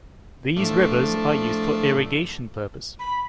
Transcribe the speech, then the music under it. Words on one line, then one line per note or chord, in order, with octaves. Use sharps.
These rivers are used for irrigation purpose.
A2 F3 A3 D4
B5